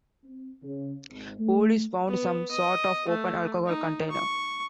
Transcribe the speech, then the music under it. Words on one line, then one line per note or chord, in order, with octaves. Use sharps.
Police found some sort of open alcohol container.
C4
C#3
G#1
A3
B3
D#5
A3
D#4
C#6